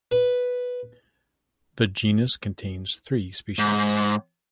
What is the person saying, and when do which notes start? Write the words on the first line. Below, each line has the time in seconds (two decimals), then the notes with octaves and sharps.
The genus contains three species.
0.11 B4
3.59 G#2